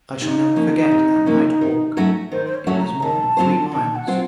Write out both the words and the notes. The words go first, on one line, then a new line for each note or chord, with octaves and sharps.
I shall never forget that night walk; it was more than three miles.
C3 D#4
F3 A#3 C#4
C3
F3 A#3 C#4
D#3
F#3 A3 C#4 F#4
D#3 C5
C5
C#5
F#3 A3 C#4 F#4
A#5
D#3 A5
F#3 C4 F4 C5
D#3 A5
F#5
F#3 C4 F4 C5